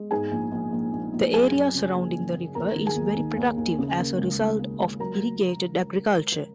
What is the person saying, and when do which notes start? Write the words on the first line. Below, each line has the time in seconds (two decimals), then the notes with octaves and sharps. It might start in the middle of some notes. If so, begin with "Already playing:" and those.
The area surrounding the river is very productive as a result of irrigated agriculture.
Already playing: G#3
0.11 G#2 G#4 G#5
0.31 A#1
0.52 A#1
0.72 A#1
0.93 A#1
1.14 A#1
1.33 F#2 G#4 G#5
1.54 F#2
1.75 C#3
1.95 A#3
2.15 F#2
2.35 A#3
2.55 D#2 A#4 A#5
2.75 D#3
2.86 G#4 G#5
2.96 D#2
3.17 D#3
3.37 D#2
3.57 D#2
3.78 C#3
3.98 A#3
4.18 C#2
4.39 C#2
4.60 A#3
4.80 C#2
5.00 F#3 A#4 A#5